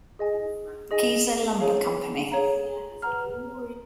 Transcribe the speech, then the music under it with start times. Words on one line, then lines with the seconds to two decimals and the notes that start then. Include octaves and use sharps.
Kiser Lumber Company.
0.19 G#4 D#5 G#5
0.91 G#4 D#5 G#5
1.60 G#4 C#5 F5 A#5
2.32 G#4 C#5 F5 A#5
3.02 B4 F#5 A#5 F6